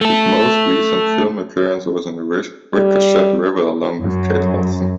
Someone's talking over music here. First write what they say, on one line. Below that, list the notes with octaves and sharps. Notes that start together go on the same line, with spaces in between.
His most recent film appearance was in "Ricochet River", along with Kate Hudson.
A3 A4
G3
F#2